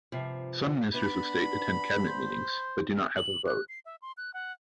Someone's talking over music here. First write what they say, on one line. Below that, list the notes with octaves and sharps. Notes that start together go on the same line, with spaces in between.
Some Ministers of State attend cabinet meetings but do not have a vote.
G2 C3 F3
B3 D4 B5
C5
F#7
F#6
C7
E5
C6
F#6
F#5